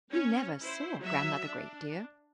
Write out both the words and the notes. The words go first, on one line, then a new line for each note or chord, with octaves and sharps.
"You never saw Grandmother Great, dear."
C#4 C#5
E4 C5
F#3 E5
D4